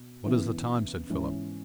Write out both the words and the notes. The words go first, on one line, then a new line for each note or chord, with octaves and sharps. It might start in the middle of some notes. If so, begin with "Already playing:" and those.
"What is the time?" said Philip.
Already playing: B2
C#3 E3 B3 E4
G#2 E3 C#4